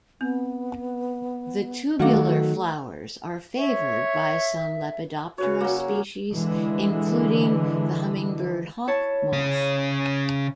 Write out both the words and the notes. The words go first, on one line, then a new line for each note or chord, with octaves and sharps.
The tubular flowers are favoured by some Lepidoptera species, including the Hummingbird hawk moth.
B3 C4
D#3 F#3 A3 F#4 A4 F5 D6
C#5 E5
C#3 F#4 B4 C#5
F#3 A#3
G#4
D3 E3 G#3
E4 C#5 A5
C#3 C#4